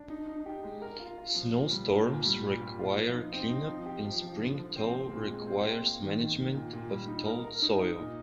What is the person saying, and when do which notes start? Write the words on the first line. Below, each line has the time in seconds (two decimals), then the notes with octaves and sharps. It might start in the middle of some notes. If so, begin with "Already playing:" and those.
Snowstorms require cleanup and spring thaw requires management of thawed soil.
Already playing: D4
0.10 D#4
0.27 D#4
0.46 G4
0.64 G#3
0.82 A#4
1.00 F4
1.18 F4
1.35 F3
1.54 A#2
1.71 G3
1.89 D4
2.07 A#2
2.25 G3
2.43 A#2
2.61 A#2
2.79 F4
2.96 F3
3.14 D#4
3.32 C4
3.50 D#4
3.68 F3
3.86 G4
4.04 F3
4.21 F3
4.40 D3
4.58 F3
4.76 C4
4.94 C4
5.11 A#2
5.30 G#3
5.47 C4
5.66 C4
5.83 A#3
6.02 D#3
6.19 D#3
6.36 D#3
6.54 A#2
6.73 A#2
6.90 G3
7.08 D#4
7.27 A#4
7.45 A#4
7.62 D#4
7.80 D#4
7.99 A#2